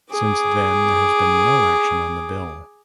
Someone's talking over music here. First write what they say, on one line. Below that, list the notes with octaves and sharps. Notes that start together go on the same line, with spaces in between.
Since then there has been no action on the bill.
G#4 D6